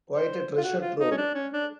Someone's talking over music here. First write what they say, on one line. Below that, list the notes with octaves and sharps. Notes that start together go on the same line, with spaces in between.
Quite a treasure-trove.
C5
F4
F#4
F4
D#4
C#4
D4
C#4
D4